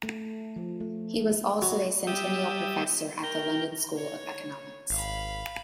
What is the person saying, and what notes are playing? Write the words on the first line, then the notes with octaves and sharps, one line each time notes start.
He was also a Centennial Professor at the London School of Economics.
A3
F3
A3
F#3
G3 G4 E5 D#6
A#4 G5
C#5
G#1 F5 B5